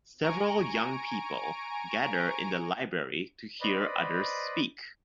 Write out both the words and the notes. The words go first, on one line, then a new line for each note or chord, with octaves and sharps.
Several young people gather in the library to hear others speak.
G#5 A#5 C#6 D7
B4 C5 D5 D#5 B5